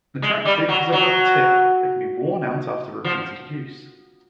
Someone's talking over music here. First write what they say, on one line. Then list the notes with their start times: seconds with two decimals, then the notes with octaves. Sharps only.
The TrackStick has a rubber tip that can be worn out after repeated use.
0.22 G#3
0.45 G3
0.69 F#3
0.92 F#3
3.04 F3